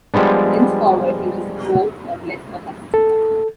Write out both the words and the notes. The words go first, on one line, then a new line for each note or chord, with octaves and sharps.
Henceforward he was more or less a husk.
F3 G3 G#3 B3 D4
A4